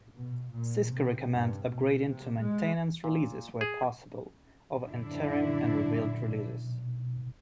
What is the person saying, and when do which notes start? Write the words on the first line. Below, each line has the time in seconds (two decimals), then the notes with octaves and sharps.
Cisco recommend upgrading to Maintenance releases where possible, over Interim and Rebuild releases.
0.19 B2
0.52 A#2
0.92 C3
1.36 G2
1.69 B2
2.08 C3
2.42 G#3
3.04 A#2
3.61 G#4
4.87 F#2 D3 D4 E4